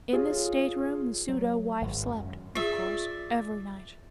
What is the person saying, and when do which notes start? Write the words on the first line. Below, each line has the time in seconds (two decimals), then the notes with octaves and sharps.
In this state-room the pseudo-wife, slept, of course, every night.
0.13 F4 G#4 C#5
1.28 F#3
1.82 G#1
2.09 F#2
2.55 F4 G#4 D5 E5